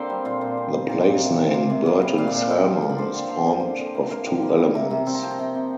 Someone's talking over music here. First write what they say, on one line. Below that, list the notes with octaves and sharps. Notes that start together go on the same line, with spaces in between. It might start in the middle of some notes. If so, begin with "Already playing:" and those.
The place name "Burton Salmon" is formed of two elements.
Already playing: D3 A#3 C4 C5 D5 G5 A#5
G3
A#2 F4
A#2
C4
G3
A#2 A#4
A#2
C3
A#3
A#3 C5
C3 D5
A#3 D5
G3
A#2 F5
D5
A#2 F5
C4 G5
F3
D3
D5
D3 C5
C4 D5
F3 C5
D3 D5
D3 C5
D3 D5
A#3
A#3 F5
D3 G5
A#3
G3
C3 A#5
C3
C4 G5
A#5
F3 G5
A#5
C3 G5
C3